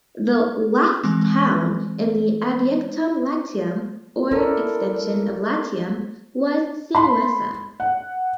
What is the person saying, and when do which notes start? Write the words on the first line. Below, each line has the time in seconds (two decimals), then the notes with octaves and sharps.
The "last town" in the Adiectum Latium, or "Extension of Latium", was Sinuessa.
1.03 E3 G#3 C4
4.31 E4 A4 A#4 D5
6.95 B5 C6
7.80 F#5